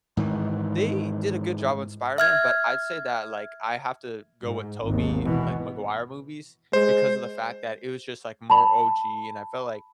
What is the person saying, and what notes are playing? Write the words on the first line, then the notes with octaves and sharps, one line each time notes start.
They did a good job on Spider-Man, but I'd say that, like, I have to go with Tobey, like, Maguire movies because of the fact that it was just, like, more OG, and I felt like,
G#2 D#3 E3
E5 F6 G#6
G#2
G#1 D#2
B2 E3
G#3 C5
A5 B5